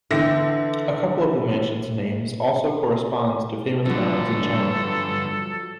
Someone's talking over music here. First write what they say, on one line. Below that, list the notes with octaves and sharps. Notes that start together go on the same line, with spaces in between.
A couple of the mansion's names also corresponds to famous mountains in China.
D3 E3 G5 A#6
G2 D3 F3 F#3 A4